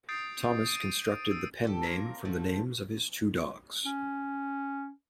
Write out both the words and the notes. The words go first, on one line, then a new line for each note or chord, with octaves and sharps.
Thomas constructed the pen name from the names of his two dogs.
D#6 G6 A6 C7 D7
D7 D#7
E6
G4 A4
A#3 C4 F4 A#4
F3 F#3 A3
C#4